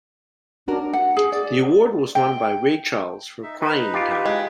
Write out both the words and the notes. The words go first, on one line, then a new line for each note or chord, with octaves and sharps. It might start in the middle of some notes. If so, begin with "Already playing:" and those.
The award was won by Ray Charles for "Crying Time".
C#4 D4 F#4 A#4
F#5
G#4
D5
G5
D#4 E5
D#4 B4
F4 G4
G#3